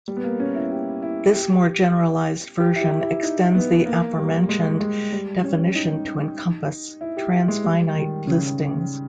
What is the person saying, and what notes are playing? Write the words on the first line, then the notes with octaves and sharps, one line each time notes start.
This more generalized version extends the aforementioned definition to encompass transfinite listings.
G3
B3
A#3
C#4
E4
G4
E4
G4
G4
E4
G4
E4
D#4
B3
A#3
G3
G#3
G#3
G3
C#4
D#4
E4
G4
G4
G#3
G3
D#3
C#3